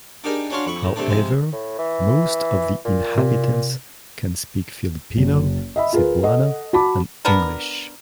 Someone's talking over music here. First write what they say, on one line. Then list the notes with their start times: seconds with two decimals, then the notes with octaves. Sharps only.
However, most of the inhabitants can speak Filipino, Cebuana, and English.
0.24 D4 D#4 G4 G#4 A#4
0.51 C#4 D4 F#4 C#5 F5 C6
0.65 F2 B5 C#6
0.83 A2
0.96 C3 A3 C4 D4
1.10 C3 F3 G#3
1.52 A2
1.78 E3
2.85 A#2
3.18 C3
5.17 F#1
5.76 D#5 E5 B5
5.93 F4 G#4 A#4 B4
6.23 A4 D#5 F#5
6.73 F#4 A5 B5 D6
7.25 B3 D4 A#4